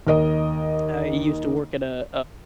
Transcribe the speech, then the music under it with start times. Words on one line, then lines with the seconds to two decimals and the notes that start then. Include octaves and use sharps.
I used to work at a
0.07 D#2 A#4 D#5